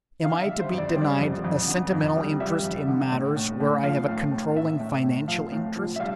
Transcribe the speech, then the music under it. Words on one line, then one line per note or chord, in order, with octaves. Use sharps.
Am I to be denied a sentimental interest in matters where I have a controlling financial interest?
D3 F5
F5
E5
G3
C5
F2
D5
C5
G3
D5
F2
F2
D3
F2
G3
G3 E5
F2
D3
A2
A2
A2
F3 F5
A2
A2
A2 E5
A2
A2
F3 F5
A2
F3
E5
G3 F5